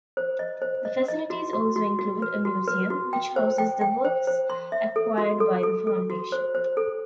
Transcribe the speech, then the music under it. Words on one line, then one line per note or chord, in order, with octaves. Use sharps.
The facilities also include a museum, which houses the works acquired by the Foundation.
C5
D#5
C5
D#5
D#5
F#4
F#4
F#4
F#4
B4
F#4
B4
F#4
G5
C5
G5
G5
C5
C5
C6
E5
A4
F#4
A4
A4
A4
F#4
C5
C5
A4